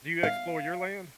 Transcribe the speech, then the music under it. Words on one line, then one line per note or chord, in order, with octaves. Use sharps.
Do you explore your land?
F5